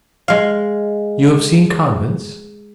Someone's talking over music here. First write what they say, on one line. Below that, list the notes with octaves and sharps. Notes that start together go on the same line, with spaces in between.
"You have seen convents?"
G#3 F5